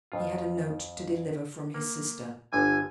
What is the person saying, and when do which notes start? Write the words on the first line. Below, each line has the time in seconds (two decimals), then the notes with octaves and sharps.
He had a note to deliver from his sister.
0.12 F2 F4
1.74 A#3
2.53 G1 D3 G#5